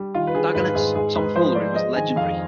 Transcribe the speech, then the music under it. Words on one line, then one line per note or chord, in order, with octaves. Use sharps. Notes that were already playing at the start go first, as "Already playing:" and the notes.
Dagonet's tom-foolery was legendary.
Already playing: G3
D#3 F4
B4
D#3 G#4
G#2 B4
G#2 G#4
G#2 G#4
G#2 B4
F3 C5
F3 D5
G#3 D#5
D#3 G#5
F2 F5